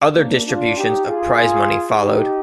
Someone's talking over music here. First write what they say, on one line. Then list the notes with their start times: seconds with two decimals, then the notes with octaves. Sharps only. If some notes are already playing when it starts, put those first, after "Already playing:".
Other distributions of prize money followed.
0.16 A#3 D4
0.47 D4 F4
0.77 D#4 G4
1.08 F4 G#4
1.99 D#4 G4